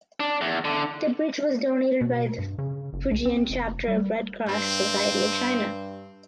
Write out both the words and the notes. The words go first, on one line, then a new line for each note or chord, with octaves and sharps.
The bridge was donated by the Fujian chapter of Red Cross Society of China.
D4
E2
D3
B2
G2
C#3
F#1
B1
C4
F1
G3
G2 C4